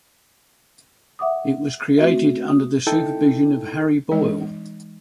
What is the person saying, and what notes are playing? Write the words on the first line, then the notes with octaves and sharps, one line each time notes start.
It was created under the supervision of Harry Boyle.
E5 F#5 D6 D#6
A3 C4 F#4 E5
D#6
D#4 E4 A4 G5
E3 G#3 D#4 D#5